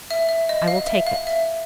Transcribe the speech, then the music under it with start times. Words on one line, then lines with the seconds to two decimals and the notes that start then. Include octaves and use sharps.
"I will take it."
0.11 E5
0.29 E5
0.49 D#5
0.68 F5
0.87 E5
1.07 F5
1.27 E5